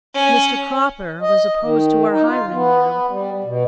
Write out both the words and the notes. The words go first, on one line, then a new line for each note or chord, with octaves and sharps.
Mr. Cropper was opposed to our hiring you.
C#4
D#5
D#3
D#4
F4
B3
G3
B2